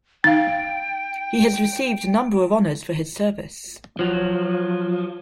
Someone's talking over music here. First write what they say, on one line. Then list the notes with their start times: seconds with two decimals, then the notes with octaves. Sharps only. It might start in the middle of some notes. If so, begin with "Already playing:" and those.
He has received a number of honours for his service.
0.24 D#4 F5 G5 A6
3.99 F3 F#3